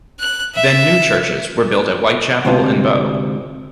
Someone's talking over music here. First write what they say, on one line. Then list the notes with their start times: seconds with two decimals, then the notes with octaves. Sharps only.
Then new churches were built at Whitechapel and Bow.
0.20 F#6
0.55 E5
2.45 D2 G#2 C3 F4